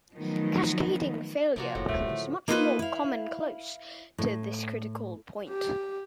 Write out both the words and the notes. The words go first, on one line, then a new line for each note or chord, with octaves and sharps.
Cascading failure becomes much more common close to this critical point.
D#3 F3 F#3 A3 B3 D#4
C3 F3 A#3 F#4
F#1 A2
D1 B1 A3
D3 F#3
A#3 D#4 F4 G4 B4 C5
E4 F5
A2
G4